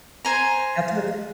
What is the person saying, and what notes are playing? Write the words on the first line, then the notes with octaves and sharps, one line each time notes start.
That's what
C5 G#5 A#5